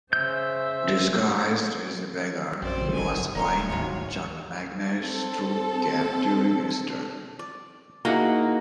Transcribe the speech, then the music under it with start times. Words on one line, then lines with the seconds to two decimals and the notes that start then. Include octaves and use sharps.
Disguised as a beggar, he was spying on Charlemagne's troop camp during Easter.
0.13 C#3 C5 E5 G6
2.62 A#1 F#2 C4 C5 D5
2.93 F#1 G2 D#3 G#5
3.35 D#1 D3 A#3 D4 A#4 C#5 A#5 C6
3.70 G#1 D2 G#2 C3 F#3 F4
5.00 C4 A4
7.39 D5
8.05 A#3 D#4 E4 F#4 G#4 F#5 A#5